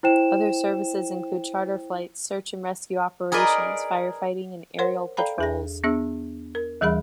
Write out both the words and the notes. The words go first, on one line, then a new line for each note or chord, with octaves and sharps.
Other services included charter flights, search and rescue operations, firefighting and aerial patrols.
E4 C5 G5 E7
G#4 A#4 B4 D5 D#5
A#4 C5 C#5 F#5 C6
A4 D5 F5 G5 A#5 B5
E2 G#4 A#6
B3 D4 G#4 E5 E6
A#4
D#2 E3 G3 G#4 E5 B5